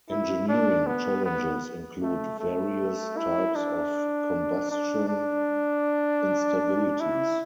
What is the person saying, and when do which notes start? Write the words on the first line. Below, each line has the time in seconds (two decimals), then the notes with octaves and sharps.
Engineering challenges include various types of combustion instabilities.
0.10 E4
0.49 D4
0.86 B3
1.26 B3
2.02 A3
2.40 A3
3.17 E4
3.56 D4
4.71 D4
5.09 D4
7.00 E4